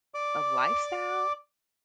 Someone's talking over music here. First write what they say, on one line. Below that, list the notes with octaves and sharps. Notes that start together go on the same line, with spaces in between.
a lifestyle?
D5 D6